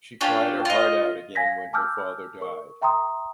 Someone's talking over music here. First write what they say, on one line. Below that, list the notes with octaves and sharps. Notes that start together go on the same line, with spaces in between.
She cried her heart out again when her father died.
C#4 D4 F4 G5
F4 D#5
F5 G#5 G#6 A#6 B6
G#5 A5 D6 E6 F6 G6
A#4 C#6
E5 G5 A#5 C6 D#6